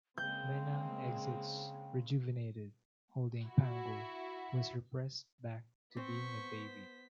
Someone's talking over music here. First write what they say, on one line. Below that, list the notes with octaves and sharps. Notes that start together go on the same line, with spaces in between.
Mena exits rejuvenated, holding Pangol, who has regressed back to being a baby.
C#3 G#3 A#3 C4 G5 G6
E4 F#4
B3 C4 C5 C#6 B6